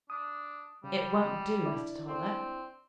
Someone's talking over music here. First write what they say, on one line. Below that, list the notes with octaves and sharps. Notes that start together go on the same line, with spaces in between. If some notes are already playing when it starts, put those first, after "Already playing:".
"It won't do, Mr. Toller!"
D4 D#6
C#3 G3
D4 E4 D5
C4